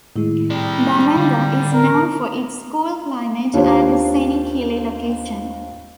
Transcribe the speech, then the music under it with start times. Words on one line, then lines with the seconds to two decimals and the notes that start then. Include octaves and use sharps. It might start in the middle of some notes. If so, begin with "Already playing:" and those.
Bamenda is known for its cool climate and scenic hilly location.
0.16 A2 D#3 G#3 E4
0.50 G3 C4 D5
1.16 D3
1.73 A#4
3.54 D#2 D4 F4 C5 C#5